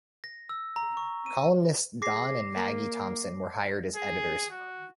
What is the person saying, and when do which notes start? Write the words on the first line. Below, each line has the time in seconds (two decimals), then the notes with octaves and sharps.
Columnists Don and Maggie Thompson were hired as editors.
0.24 A#6
0.49 E6
0.76 A#5
0.97 C#6
1.26 D#7
2.02 G#4 D6 A#6 C7
2.57 A#3
3.96 G#4
4.50 F#4